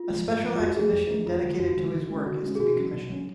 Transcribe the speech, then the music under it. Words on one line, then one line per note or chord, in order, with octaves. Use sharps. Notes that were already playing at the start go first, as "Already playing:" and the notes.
A special exhibition dedicated to his work is to be commissioned.
Already playing: F4
F3 G#3
G#2
F3 G#3
F4
F2 F#4
F3 A3 D4 G#4
F2
F3 A3 D4
F2 F4
D3 F3 G#3
F2 F#4
D3 F3 G#3
D3
G#3 C#4
D3 F#4
G#3 C#4
G#4
B2 F#4
F#3 C#4
B2
F#3 C#4